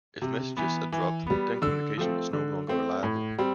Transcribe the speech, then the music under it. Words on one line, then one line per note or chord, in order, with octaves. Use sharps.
If messages are dropped, then communication is no longer reliable.
C3
E3 B3
E3
G3 B3
D3 E6
F3 A3 C4
D3
A3 C4
A2
G3 C4